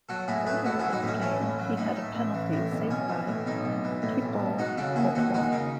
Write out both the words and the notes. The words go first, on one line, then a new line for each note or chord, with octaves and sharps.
Earlier in the game, he had a penalty saved by Thibaut Courtois.
F#3 F#4 A4
A2 E4 G#4
A3 G#4 B4
A1 F#4 A4
F#3 E4 G#4
D#4 F#4
A2 C#4 E4
A3 C#4 E4
A1
F#3
A2 D#4
A3
A1
E3
A2
B1
B1 C#4
E3
A2
B1 D#4
B1
E3
A2
B1
B1
G#3 D#4 F#4
C#3 F#4 A4
D#2 E4 G#4
D#2 D#4 F#4
G#3 D#4 F#4
C#3 D#4